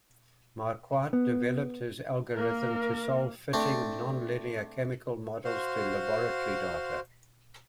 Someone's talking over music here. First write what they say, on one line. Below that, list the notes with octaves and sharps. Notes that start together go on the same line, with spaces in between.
Marquardt developed his algorithm to solve fitting nonlinear chemical models to laboratory data.
B3
A#3 A#4
A3 C4 D4
F#4 C5 F5 C6